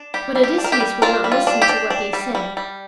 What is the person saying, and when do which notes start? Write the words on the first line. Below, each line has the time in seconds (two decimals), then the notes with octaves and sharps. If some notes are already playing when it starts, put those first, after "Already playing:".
But Odysseus would not listen to what they said.
Already playing: D4
0.14 G3 G4
0.35 G3
0.44 G4
0.58 D4
0.64 A#4
0.72 G4
0.80 G3
1.02 D4 F4 A#4
1.24 G3
1.32 F4
1.47 D4
1.62 G4
1.69 D4
1.90 D4
2.13 G3
2.35 G3
2.57 G3